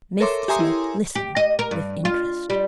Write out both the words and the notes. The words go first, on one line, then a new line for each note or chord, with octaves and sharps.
Mr Smith listened with interest.
A4 A#4 C#5 E5 C6 D6
G4 E5 G#5 A#5 C6 D#6
E4
G4
D#5
A#4
G2
F4
G3